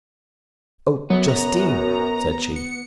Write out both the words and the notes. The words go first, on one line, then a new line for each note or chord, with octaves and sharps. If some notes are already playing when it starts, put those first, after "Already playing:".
"Oh, Justine!" said she.
F#2 F#3 B3
A#5
C#7